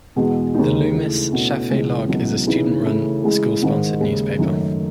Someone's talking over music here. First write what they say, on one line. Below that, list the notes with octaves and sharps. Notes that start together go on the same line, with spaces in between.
The Loomis Chaffee Log is a student-run, school-sponsored newspaper.
E2 B2 G#3
D#2 C#3 G#3 D#4
C#3 E3 A3
B2 A3 C#4 E4
C#2 C#3 E3 G#3
C#2 B2 F#3 C#4 E4
C#3 E3 B3 D#4
C#3 E3 A3
C#3 E3 G#3
G#2 D#3 G#3
D#2 C#3 G#3
F#2 D#3 A3